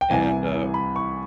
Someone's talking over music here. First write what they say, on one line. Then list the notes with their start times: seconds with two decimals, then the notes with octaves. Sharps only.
and, uh,
0.01 G5
0.10 C2 C3 E3 G#5
0.74 B5
0.96 C#6